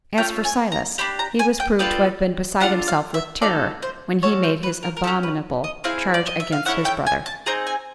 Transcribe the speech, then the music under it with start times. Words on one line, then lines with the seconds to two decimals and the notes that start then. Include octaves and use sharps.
As for Silas, he was proved to have been beside himself with terror when he made his abominable charge against his brother.
0.17 C#4 F4 A4 G5
0.45 G#5
0.72 A#5
0.98 D4 G4 B5
1.19 A#5
1.39 G#5
1.60 G5
1.79 B3 D4 F4 A4 G5
2.61 D4 F4 A4 F#5
2.88 F5
3.14 E5
3.41 A#3 D#4 F#4 A4 D5
3.82 C5
4.23 C#4 F#4 A4 C#5
4.43 C5
4.63 B4
4.83 A#4
4.97 A#4
5.04 C#4 E4 G4 A4
5.23 B4
5.64 D#5
5.84 C4 E4 G#4 F5
6.14 D5
6.27 D#5
6.40 E5
6.52 F5
6.65 C#4 E4 A4 F#5
6.85 G5
7.07 G#5
7.26 A5
7.46 C4 D#4 G#4 A#5
7.67 G#5